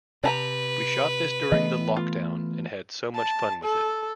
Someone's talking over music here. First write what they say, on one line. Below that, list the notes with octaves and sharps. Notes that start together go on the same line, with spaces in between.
We shot this during the lockdown and had so much fun with it.
C3 D4 B4 A5 A#5
E3 A3 B3 D#5
F4
A5
A4